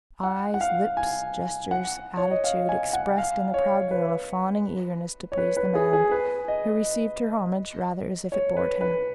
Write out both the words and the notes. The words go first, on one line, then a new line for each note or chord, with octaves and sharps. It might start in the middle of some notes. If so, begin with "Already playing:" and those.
Eyes, lips, gestures, attitude expressed in the proud girl a fawning eagerness to please the man, who received her homage rather as if it bored him.
F#5
F#5
F5
G#5
F#5
C#5
D#5
F5
G#5
F#5
F5
C#5
B4
C#5
B4
B4
G#4
G#4
B4
D#5
C#5
B4
B4